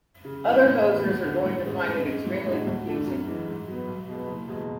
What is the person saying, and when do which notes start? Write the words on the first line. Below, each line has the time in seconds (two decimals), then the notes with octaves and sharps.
Other hosers are going to find it extremely confusing.
0.25 C#3
0.44 G#3 C#4 E4
0.65 A2
0.85 E3 G#3 B3
1.05 D2
1.25 D3 A3
1.45 A1
1.65 G#2 G#3 C#4 G#4
1.86 G#2
2.07 G#3 C#4
2.26 A1
2.47 A2 G#3 D4 F#4
2.66 D2
2.87 D3 A3 D4
3.07 F#2
3.27 E3 G#3
3.47 G#2
3.67 F#3 B3
3.87 B1
4.08 B2 G#3 B3
4.27 F#1
4.47 E2 B2 G#3